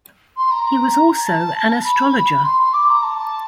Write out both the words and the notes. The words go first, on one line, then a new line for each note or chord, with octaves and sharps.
He was also an astrologer.
C6
A#5
A5
A5
A#5
B5
B5
C6
D6
A#5
A5